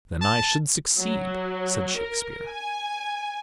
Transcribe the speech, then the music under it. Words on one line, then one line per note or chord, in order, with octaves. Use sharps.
"Then I should succeed," said Shakespeare.
A5
F#3
A#4
G#5